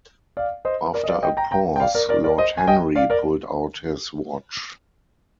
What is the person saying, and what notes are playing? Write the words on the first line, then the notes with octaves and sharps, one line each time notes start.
After a pause, Lord Henry pulled out his watch.
D5 F5
C5 D#5
A#4 D5
D#5
D5 F5
D#5 G5
G5 A#5
G5 A#5
G5
D5 F5
A#4 D5
A#4 D5
A#4 D5
C5 D#5
G#5
D#5 G5
D5 F5
A#4 D5